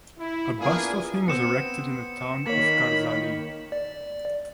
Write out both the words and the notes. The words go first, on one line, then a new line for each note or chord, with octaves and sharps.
A bust of him was erected in the town of Kardzhali.
E4
A#3 B3 D4 E4 F4 G#4
B3 C4 C#7 E7
D#3 A#3 C#5 B5
D5